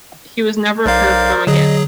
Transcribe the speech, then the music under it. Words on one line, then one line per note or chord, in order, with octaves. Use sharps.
He was never heard from again.
B1 A#4 C5 D5 F5
D3 F#3 G#4 D#5